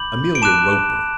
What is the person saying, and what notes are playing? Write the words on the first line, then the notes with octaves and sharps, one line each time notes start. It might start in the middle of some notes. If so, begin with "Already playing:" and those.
Amelia Roper!
Already playing: B5 D6 G6 F#7
D7
A5 D6 F#6 E7